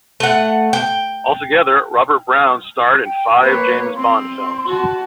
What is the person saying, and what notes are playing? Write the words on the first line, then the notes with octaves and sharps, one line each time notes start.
Altogether, Robert Brown starred in five James Bond films.
A3 F#5
G5
G5
A#3 B4 C#5
C4 C6
F#4 A5